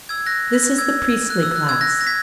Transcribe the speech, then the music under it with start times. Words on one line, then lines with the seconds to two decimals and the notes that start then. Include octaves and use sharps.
This is the priestly class.
0.09 E6 G#6
0.26 F#6 A#6
0.78 E6 G#6
1.30 F#6
1.43 E6
1.56 F#6
1.69 E6 G#6
1.81 F#6 A#6
2.01 A#6
2.07 G#6 B6